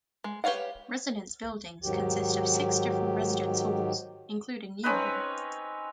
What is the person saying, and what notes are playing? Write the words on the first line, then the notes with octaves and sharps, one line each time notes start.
Residence buildings consist of six different residence halls, including New Hall.
G#3
G4 B4 C#5 F5 F#5
G#2 D#3 F#3 G4
C4 C#4 D#4 B4